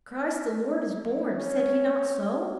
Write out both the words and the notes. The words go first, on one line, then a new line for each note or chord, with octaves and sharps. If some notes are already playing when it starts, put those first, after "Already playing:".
"Christ the Lord is born; said he not so?"
C#4